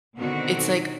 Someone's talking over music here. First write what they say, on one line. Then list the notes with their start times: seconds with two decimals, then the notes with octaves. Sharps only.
it's like,
0.17 B2 D3 D#3 C4 F#4